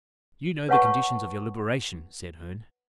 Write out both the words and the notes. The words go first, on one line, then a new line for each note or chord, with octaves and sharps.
"You know the conditions of your liberation?" said Herne.
B4 C#5 F#5 A5 C#6